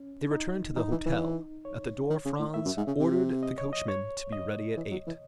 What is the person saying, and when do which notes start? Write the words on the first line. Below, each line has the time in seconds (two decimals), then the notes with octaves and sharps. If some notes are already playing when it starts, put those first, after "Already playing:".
They returned to the hotel; at the door Franz ordered the coachman to be ready at eight.
Already playing: C#4
0.31 D#4
0.76 E3 D#4
0.91 E3
1.06 E3
1.65 C#5
2.10 D#3
2.25 C#3
2.39 A2
2.54 A2 E5
2.65 F#2
2.77 G#2
2.87 C#3
2.99 C3
3.43 D#5
3.58 C#5
3.73 D#5
3.88 C#5
4.33 D#5
4.77 E3
4.91 F#3
5.07 E3